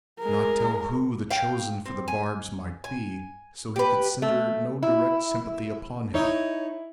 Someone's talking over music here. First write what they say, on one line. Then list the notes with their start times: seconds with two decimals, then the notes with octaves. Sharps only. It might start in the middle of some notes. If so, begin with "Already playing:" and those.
He could not tell who the chosen for the barbs might be, so he could center no direct sympathy upon him.
0.20 G#3 A#4
1.30 F5 G5
1.86 C4
2.08 G#5
2.84 G#5
3.76 G4 B4
4.22 A3
4.83 E4
6.14 D#4 E4 C#5